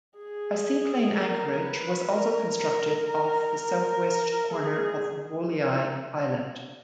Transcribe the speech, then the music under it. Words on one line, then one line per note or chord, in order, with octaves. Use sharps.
A seaplane anchorage was also constructed off the south-west corner of Woleai Islet.
G#4
A#4
B4
A#4
A#4
A#4
A#4
G#4